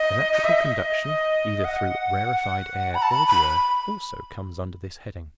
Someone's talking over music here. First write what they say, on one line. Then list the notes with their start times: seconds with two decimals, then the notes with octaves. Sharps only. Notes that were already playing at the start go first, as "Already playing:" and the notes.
Electrical conduction, either through rarefied air or the earth, also comes under this heading.
Already playing: D#5
0.33 D#5
0.44 E5
0.56 D#5
1.64 F#5
2.95 B5
3.02 A5
3.11 B5
3.27 B5